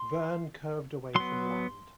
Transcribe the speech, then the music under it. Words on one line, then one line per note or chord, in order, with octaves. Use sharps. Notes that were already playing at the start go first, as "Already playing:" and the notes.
Verne curved away from land.
Already playing: C6
F#3 B3 C6